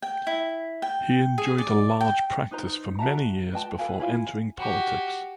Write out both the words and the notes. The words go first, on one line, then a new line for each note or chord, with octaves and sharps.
He enjoyed a large practice for many years before entering politics.
G5
E4
G5
G#4
D5
G5
D#4 B4 C5 A#5
F#4 E5 A5 A#5
B4 D#5 G5 A5
A4 B4 F5 G#5
E4 F4 F5 G#5
F#4 G4